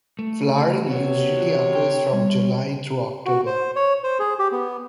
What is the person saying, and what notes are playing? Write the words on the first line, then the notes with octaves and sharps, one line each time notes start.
Flowering usually occurs from July through October.
A3
C3 B3 F#4 C#5
E3 F#4
G5
G3
F#4
C5
C#5
C5
G#4
G4
B3